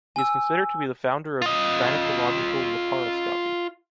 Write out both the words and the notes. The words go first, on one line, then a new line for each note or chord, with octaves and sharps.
He is considered to be the founder of gynecological laparoscopy.
G#5 E6
F4 D#5